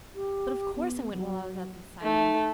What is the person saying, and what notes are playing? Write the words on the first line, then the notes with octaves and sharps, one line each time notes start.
But of course I went while I was at the asylum.
G4
B3
F#3
A3 D#4